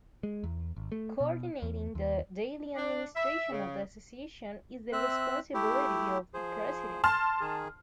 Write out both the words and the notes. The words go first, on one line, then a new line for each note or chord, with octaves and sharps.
Coordinating the daily administration of the association is the responsibility of the President.
G#3
E2
G#1
A3
B2
E2
D#2
D4
E5
C#3
C4 E5 F#6
A3 E4 G4
F3 G#4 C5
A5 C6 F6
D#3 G#4